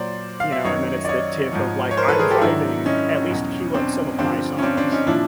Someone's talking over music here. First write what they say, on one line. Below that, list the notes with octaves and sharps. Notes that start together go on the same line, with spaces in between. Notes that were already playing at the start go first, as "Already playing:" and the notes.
you know, and then it's the tiff of, like, "I'm driving, at least queue up some of my songs"
Already playing: A#2 F#3 C5 D5
F5
E5
F#2 D#3 F#3 C#5 D#5
D5
C#5 D#5
G#2 F3
C#5
A#4 C5
A4 B4
G#4 A#4
G4 A4
G#2 D#3 F#3 D4 E4
C#4 D#4
E2 B2 F#3
C4 D4
G2 D3 F3 C4 D4
C#4
C4 D4
C4 D4
C#4 D#4
A#2 F3 D4 E4